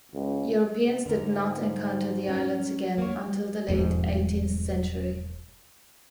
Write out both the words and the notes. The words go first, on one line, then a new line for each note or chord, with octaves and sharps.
Europeans did not encounter the islands again until the late eighteenth century.
C#2
C3
G#2 D3 A#4
C#4 A#4
A#3 C#5
E1 F2 G#2